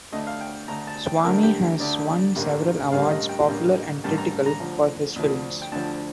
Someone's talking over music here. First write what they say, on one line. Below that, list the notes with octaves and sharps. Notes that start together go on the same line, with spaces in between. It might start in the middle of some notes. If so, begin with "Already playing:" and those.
Swamy has won several awards, popular and critical, for his films.
D2 D3 A3 D#5
F5
G5
D2 D3 A3 A#5
A5
G5
D2 D3 A3 A#4
G4
D2 D3 A3 D5
A1 G2 D3 G3 A#3
A1 G2 D3 G3 A#3 F5
D#5
G5
A1 G2 D3 G3 A#3
A1 G2 D3 G3 A#3 A5
A#5
A#5
D2 D3 F3
D2 D3 F3
G5
D2 D3 F3 A5